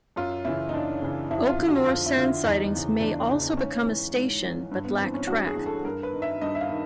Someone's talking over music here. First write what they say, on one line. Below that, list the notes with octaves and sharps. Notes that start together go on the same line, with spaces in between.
Oakamoor sand sidings may also become a station, but lack track.
F#2 F4
C#3 E3 E4
D#4
F#2 D4
C#3 E3
F2 E4
F4
D3
F#4
F2 F4
E4
D3 F4
E4
E2 D#4
C#3 E3
E2 D4
C#3 E3
G#2 C#4
E3
G#2
E3
G2
B3
E3 C4
C#4
G2 F#4
G#4
E3
A4
G2 A#4
B4
D#3
E5
G2 D#5
E5
F5
D#3